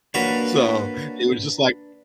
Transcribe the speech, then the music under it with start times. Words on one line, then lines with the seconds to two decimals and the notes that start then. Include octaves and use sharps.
So it was just like
0.14 A#3 D4 F#4 B4 C#5